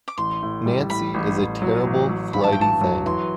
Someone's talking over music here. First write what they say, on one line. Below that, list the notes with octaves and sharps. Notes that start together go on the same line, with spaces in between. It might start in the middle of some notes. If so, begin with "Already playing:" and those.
Nancy is a terrible flighty thing.
D6
A1 C6
A2
G3
A2 B5
A1
A1
F#3
A1
F#3
G2 B5
A5
G5
A1 A5
F#3
E3 C6